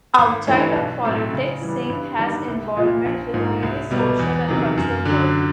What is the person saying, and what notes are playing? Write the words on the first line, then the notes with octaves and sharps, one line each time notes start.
Outside of politics, Singh has involvement with various social and cultural bodies.
G#1
G2 E3 A3 C#4
B1
A2 F#3 A3 C4
C#3
E3 G3
G2
D#3 G3
C2
A#2 F3
A#1
G#2 F3 A#3
C2
B2 G3 B3
E2
C3 D#3 F#3
F#2
D3 F#3